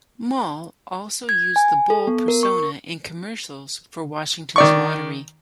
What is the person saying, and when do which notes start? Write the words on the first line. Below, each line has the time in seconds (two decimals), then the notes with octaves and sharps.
Moll also used the Bull persona in commercials for Washington's Lottery.
1.29 G#6
1.56 G#5
1.90 A4
2.07 B3
2.28 A#4
2.43 C#6
4.56 D#3 D5 C#6